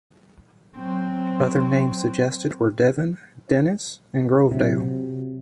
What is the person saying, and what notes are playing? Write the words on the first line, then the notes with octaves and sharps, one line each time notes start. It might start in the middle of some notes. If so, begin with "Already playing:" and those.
Other names suggested were Devon, Dennys and Grovedale.
F#3 C4
C3 F#3